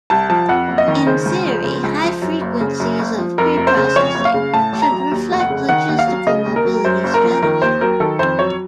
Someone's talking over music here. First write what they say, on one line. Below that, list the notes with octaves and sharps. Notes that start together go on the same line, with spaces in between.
In theory, high frequencies of pre-processing should reflect logistical mobility strategy.
C2 A5
F3 A5
F2 F#5
F#1
D#5
D#3
C#3 C5
C#2
F3
C#3
C#2
F3
F#2
F#1
C#3
F#2
F#1
F3
F2 A#4
F1
C5
C#3
F2 C#5
F#1
F5
C#3
A2 A5
A1
A#5
F#3
D#2
F1
F#5
C#3
D#3 F#5
D#2
F5
F#3
C#3 D#5
D#2
A#4
F#3
F#2 C5
F#1
A#4
F3
D#3 A#4
D#2 C5
F#3 A#4
D#3 A4
F2 C5
F#3 C#5